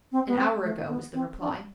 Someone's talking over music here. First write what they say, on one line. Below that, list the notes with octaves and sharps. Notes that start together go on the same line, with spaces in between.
"An hour ago," was the reply.
C4
B3
C4
A3
B3
C4
D4